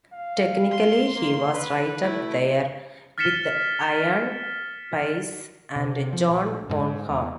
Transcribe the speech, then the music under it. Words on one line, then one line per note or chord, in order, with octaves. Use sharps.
Technically, he was right up there with Ian Paice and John Bonham.
F5
C6
A#3
B4
A3 E4
F6 A6 B6 C#7 E7 G7
C3
F3
A#1
G#2
E2